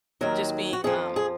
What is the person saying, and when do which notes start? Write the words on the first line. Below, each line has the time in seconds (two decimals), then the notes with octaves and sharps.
just being, um,
0.21 D#2 D#3 F#3 A#4
0.73 F#4
0.84 F2 F3 G#4
1.16 G#4